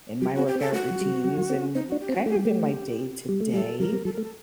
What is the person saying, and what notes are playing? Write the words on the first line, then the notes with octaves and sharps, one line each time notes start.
in my workout routines and kind of in my day-to-day,
F#3 G4
C4 F#4
G4
C4
A4
A3 F#4
F#3
G3
F#3
F#3
F#3
C4
C4 D#4
D4 F#4
G4
C4
F#4
A3 G4
G3
A3
G3
A3
G3 A4
F#3 A#4
G3
F#3 A4
A#4
A3
A4